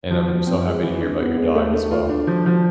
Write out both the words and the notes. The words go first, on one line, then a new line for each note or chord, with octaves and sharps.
And I'm so happy to hear about your dog as well.
F3
F3
C4
G#3
E3
D4
B3
G#3
A3
A3
F4
D4
F3
F3